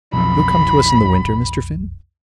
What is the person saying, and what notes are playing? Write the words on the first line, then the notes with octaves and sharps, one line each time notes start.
"You'll come to us in the winter, Mr. Finn?"
B1 F2 B5